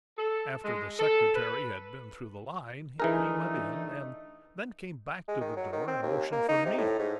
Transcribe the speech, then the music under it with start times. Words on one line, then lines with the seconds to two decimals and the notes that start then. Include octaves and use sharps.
After the secretary had been through the line, he went in, and then came back to the door and motioned for me.
0.17 A4
0.64 G#3
0.98 A4
1.35 B4
3.00 D3 E3 A3 D#4 G#4 A#4
5.28 G#3
5.41 D#3
5.57 F#3
5.72 D#3
5.87 C4
6.02 D#2
6.32 A#3
6.48 D#4
6.66 C3
6.78 A2
6.99 G#2